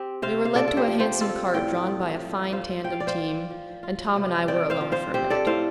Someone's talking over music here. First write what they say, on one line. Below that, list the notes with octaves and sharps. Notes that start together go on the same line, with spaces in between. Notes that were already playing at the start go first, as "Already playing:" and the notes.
We were led to a handsome cart drawn by a fine tandem team, and Tom and I were alone for a minute.
Already playing: C4 G4
C3 C5 F5
F5
F4 A4 D5
A4
G4 C5
F3
G4 C5
C4 F4 A4
A2 D5 G5
F4
F3
F4 C5 F5
F3 G5
F5
D5
C5 F5
F4
F3
F4
C3
C4 D5 G5
C5 F5
F3
C5 F5
C4 G4 C5
A4 D5
A2 C5 F5